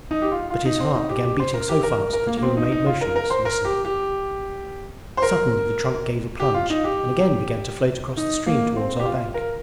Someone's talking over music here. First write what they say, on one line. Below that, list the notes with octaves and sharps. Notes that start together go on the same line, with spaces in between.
But his heart began beating so fast that he remained motionless, listening. Suddenly the trunk gave a plunge and again began to float across the stream towards our bank.
D#4
G4
F4
F4
D#4
C4
D#4
G4
G4
C5
A#4
G4
A#4
A#4
A#4
A#3
A#3
C4
D#4
D#4
F4
A#4
A#4
C5
A#4
G4
G4
C5
A#4
G4
F4
D#4
G4
D#4
A#3
C4
G4
F4
A#4